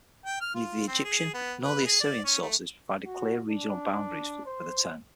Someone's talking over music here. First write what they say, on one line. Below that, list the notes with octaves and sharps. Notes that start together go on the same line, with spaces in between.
Neither the Egyptian nor the Assyrian sources provided clear regional boundaries for the term.
G5
F6
F4
C4
G#4
B3
B4
G#4
D5
C#4
A3
F#4
D4
C5